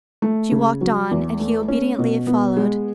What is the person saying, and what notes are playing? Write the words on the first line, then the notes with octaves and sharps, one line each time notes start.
She walked on, and he obediently followed.
A3
C#3
F#3
E2
A3
C#4
B2
B3
G#3